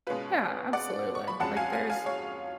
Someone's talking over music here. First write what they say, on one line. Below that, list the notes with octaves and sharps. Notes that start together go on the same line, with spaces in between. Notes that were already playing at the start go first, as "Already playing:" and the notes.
Yeah, absolutely, like there's
B2 G#3 C#4 F4 B4
D5 F#5
C#6
B5
F2 F3 G#3 C#4 F#5 A5
F5 G#5
F5 G#5
F5 G#5
C#5 F5